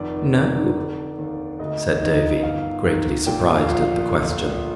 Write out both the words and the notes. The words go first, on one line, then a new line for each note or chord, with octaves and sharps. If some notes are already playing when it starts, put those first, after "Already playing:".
"No," said Davy, greatly surprised at the question.
Already playing: F1 D#3 D5
D#3 D5
D3
D#2
D2 D#5
D#3 D#5
G1 F5
D#3
A#2 G5
F5
A#1
F5
D3